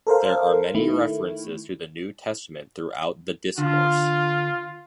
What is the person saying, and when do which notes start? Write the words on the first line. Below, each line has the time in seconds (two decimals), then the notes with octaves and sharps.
There are many references to the New Testament throughout the "Discourse".
0.07 A4 A#4 C5 F5
0.74 D#3 A3 E4
3.58 D3 F4